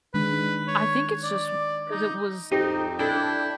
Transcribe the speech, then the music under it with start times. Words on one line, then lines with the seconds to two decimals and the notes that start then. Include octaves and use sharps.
I think it's just 'cause it was, eh
0.14 D#3 G#3 D4 B4
0.68 C#5
1.24 D5
1.91 D#4
2.52 F2 C4 D#4 G4
2.99 D4 E4 A4 G5